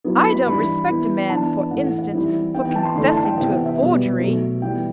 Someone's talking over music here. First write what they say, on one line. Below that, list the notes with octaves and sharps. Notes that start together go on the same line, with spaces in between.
'I don't respect a man, for instance, for confessing to a forgery.'
F#3 B3 E4
B5
B5
E3 G3 D4 B5
E3 B3 E4
E3 B3 D4 A5
A2 E3 A3 F#5
F#5
F#5
E3 G3 C4 E4
E3 B3 E4 G5
G5
A5
C6
D3 A3 E4 C6
A5
G5
C3 E3 B3 G5
F#5
E5
B2 G3 B3
B2 F#3 A3
E3 G3 B3 G5